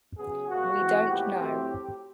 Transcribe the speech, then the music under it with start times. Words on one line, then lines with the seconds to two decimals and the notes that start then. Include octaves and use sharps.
We don't know.
0.18 C#3 F#3 B3 G#4
0.48 B2 G3 A#3 F#4
0.77 E3 G#3 C4
1.07 A2 F3 G#3 B3 G4
1.37 A2 F#3 A3 C4